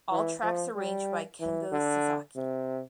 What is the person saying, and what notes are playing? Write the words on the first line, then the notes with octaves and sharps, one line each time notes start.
All tracks arranged by Kengo Sasaki.
E3
F3
G3
E3
D3
C3